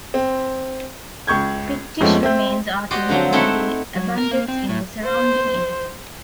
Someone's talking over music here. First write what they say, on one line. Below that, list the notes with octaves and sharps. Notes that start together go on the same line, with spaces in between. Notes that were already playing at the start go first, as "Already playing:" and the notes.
Pictish remains are to be found in abundance in the surrounding area.
C4
C#2 C#6 G6 G#6
F2 F3 G#3 A3 B3 C#4
C4 E5 G6
F#4 G4 C5 D5 D#5
D3 F3 F#3 C4
A3 C4 D#4 E4 A4 F#5
F#3
A#4
A#3
C4
A2
C5